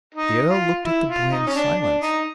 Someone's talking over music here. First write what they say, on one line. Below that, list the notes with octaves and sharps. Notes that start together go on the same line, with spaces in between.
The Earl looked at the boy in silence.
D#4
F4
E4
F4
D#4
C#4
D4
D4
D#4